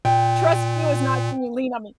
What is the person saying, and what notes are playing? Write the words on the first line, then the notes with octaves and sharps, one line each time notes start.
trust you is not "can you lean on me?"
A#2 G5